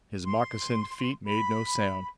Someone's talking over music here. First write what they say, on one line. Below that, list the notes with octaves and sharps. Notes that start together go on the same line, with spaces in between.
His moccasined feet made no sound.
C6
B5